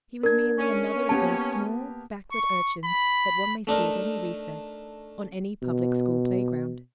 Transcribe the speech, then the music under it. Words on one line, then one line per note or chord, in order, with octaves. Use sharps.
He was merely another of those small, backward urchins that one may see at any recess, on any public school playground.
D4 A#4 G#6
C#4
A#3 B3 G4 A5
C#6
B5
A3 D4 D#4 A#4
B2